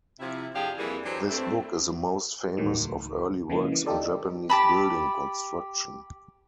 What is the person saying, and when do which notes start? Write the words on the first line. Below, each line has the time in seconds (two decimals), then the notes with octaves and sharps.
This book is the most famous of early works on Japanese building construction.
0.19 C3 F3 E4
0.54 F2 F3 D4 G4 G#4 F5
0.77 F2 E3 G3 A#3 E4 G#4
1.04 E3 F#3 D4 C5
1.29 G2 A3 C4
2.57 A1 D#2 A2 D#3 F#3
2.79 C#2
3.50 C#3 E3 F3 G#3 A#3
3.72 E3
3.86 D#4 F4 G4 A4 D5
4.50 G4 A5 B5